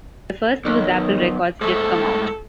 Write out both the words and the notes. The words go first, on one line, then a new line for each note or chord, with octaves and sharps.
The first two Zapple records did come out.
B1 D#3
G#2 A3 A4